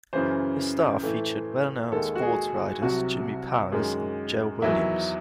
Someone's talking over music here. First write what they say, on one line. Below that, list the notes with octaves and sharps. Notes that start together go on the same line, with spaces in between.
His staff featured well-known sportswriters Jimmy Powers and Joe Williams.
F#2 C#3 E3 C5
A2 E3 A3
D#2 D#3 G#3 A4
F#4
G#4
C2 C3 F#3 F#4
F#2 D#3 G#3
E2 D#3 F#3 E4